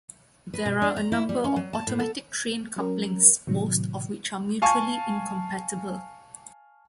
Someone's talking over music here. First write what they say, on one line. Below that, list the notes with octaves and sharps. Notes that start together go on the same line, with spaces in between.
There are a number of automatic train couplings, most of which are mutually incompatible.
B4
B2
D4
A#5
E4
G3
C#4
F#3
A5
A2
A4
F#3 C#4 A#4
A2 C3 D#3 F#3
F5 G#5 A5 C#6